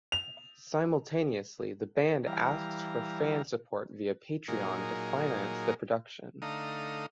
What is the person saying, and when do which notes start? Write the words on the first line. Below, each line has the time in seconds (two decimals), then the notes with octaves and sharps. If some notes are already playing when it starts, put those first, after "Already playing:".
Simultaneously the band asked for fan support via Patreon to finance the production.
0.12 F7
2.27 E3 G3 F5 A#5
4.48 A#2 F#3 D#4 G#4 A#4
6.42 D3 A3 D#4 F5 A#5 D#6